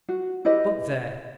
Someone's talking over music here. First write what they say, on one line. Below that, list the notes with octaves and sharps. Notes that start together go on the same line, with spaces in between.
But there!
F#4
E4 G4 B4 D#5